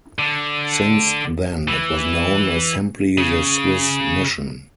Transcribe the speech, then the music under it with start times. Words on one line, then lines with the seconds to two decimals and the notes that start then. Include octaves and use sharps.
Since then it was known as simply the Swiss mission.
0.19 D3
1.68 E3
3.18 C#3